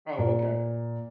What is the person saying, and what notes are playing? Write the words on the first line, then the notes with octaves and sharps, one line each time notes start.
Oh, okay.
A#2